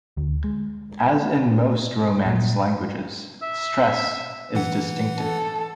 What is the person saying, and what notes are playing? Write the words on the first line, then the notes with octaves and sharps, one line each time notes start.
As in most Romance languages, stress is distinctive.
D2
G#3
A#2
E5
E3 F#5
A4